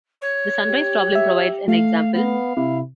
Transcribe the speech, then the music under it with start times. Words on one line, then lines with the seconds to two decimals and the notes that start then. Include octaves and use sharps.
The "sunrise problem" provides an example.
0.21 C#5
0.69 G4
1.15 E5
1.68 A3 F5
2.14 B3 F5
2.57 C3 E4